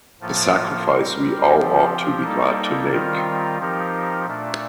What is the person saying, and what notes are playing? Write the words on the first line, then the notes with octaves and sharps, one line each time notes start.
It's a sacrifice we all ought to be glad to make.
A2 F3 A#3 F4 A4
G3 C4 G4 A#4
F3 C4 G4
G3 A#3 D#4 A4
D#3 G3 C4 F4 A#4
F3 C4 D#4 G4 A#4
A#2 A3 D4